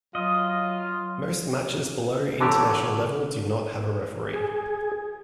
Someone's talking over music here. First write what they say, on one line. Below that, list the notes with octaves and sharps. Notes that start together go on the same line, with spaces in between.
Most matches below international level do not have a referee.
F#3 F4 D#5
D3 E3 F#3 A3 C#4 G4
G#4